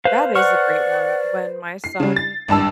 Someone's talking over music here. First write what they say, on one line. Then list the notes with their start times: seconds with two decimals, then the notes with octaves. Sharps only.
That is a great one. When my son
0.05 B4 C5 F5
0.36 D5 F#5 C#6 F6
1.84 C7
2.00 C#3 G3
2.16 A6
2.48 G#1 G2 A5 E6